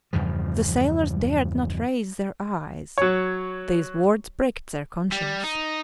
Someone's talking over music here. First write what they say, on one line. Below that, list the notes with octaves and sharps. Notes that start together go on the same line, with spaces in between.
The sailors dared not raise their eyes; these words pricked their conscience.
E2 G2 C#3 F3
F#3 C#5
G3
D#4